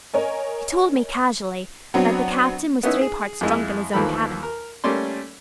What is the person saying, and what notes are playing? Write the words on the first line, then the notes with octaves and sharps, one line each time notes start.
He told me casually that the captain was three-parts drunk in his own cabin.
A#4 C#5 D#5 G#5
F#3 B3 C4 D4 F#4
B3 C#4 D#4 E4
G#4
F2 G#3 E4
D#2 E3 F3 A4 A#4 B5
A#4
G3 A3 A#3 C#4 D5 C6